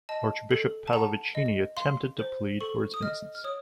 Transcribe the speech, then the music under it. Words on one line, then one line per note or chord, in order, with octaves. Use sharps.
Archbishop Pallavicini attempted to plead for his innocence.
D#5 A5
A4
A5
F#5 A#5
D#5
F5 C6
C5
A4 C#6
D#6
D#5 F6
F6
C#5 D#6